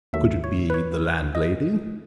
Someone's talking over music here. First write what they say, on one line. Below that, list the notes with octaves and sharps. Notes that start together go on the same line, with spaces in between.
Could it be the landlady?
D#2 D#3 F#3 A3 E5
C#5
B4
C#5
D#5